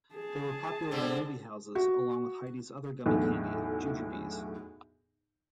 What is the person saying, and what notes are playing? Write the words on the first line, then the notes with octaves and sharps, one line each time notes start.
They were popular in movie houses along with Heide's other gummy candy, Jujubes.
G#4 A5
G#2 D3 C4
F#4
B1 E2 A2 D3